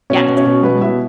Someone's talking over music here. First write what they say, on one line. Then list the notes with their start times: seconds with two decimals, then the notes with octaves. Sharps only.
Yes. Mhm.
0.10 B2 C#4 C#5
0.28 B2
0.36 C#4 C#5
0.46 B2
0.63 B2 B3 B4
0.81 B2 E4 E5